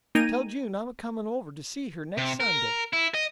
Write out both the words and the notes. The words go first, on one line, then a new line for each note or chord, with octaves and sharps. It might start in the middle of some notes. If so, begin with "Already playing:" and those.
"Tell June I'm a-comin' over to see her next Sunday."
A#3 D#4 G5 G#5 A#5 D#7
C3
A#4
E4
D#5